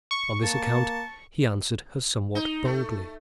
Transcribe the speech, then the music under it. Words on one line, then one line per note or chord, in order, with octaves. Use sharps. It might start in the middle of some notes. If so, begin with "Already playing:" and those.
On this account he answered her somewhat boldly.
C#6
A#3 A5
D#4
A3